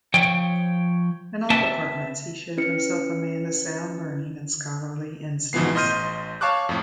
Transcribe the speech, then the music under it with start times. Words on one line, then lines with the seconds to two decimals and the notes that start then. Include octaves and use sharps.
In all departments he showed himself a man of sound learning and scholarly instincts.
0.14 F3 C#5 G5
1.50 C4 B4 E5 A5
2.57 C#4 E4 B4 C#7
5.53 G#2 B2 E3 F3 B3 C7
5.75 A1 D#5 C6 F6 G6 D#7
6.41 C#5 F5 A5 C#6 D6 F#6
6.69 F2 A2